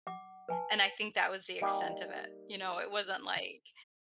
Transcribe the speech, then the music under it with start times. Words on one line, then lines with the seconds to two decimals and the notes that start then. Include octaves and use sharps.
And I think that was the extent of it. You know? It wasn't like,
0.07 F#5 D6
0.49 B4 G#5 A5
1.61 G3 A#3 D#4 G4 G#5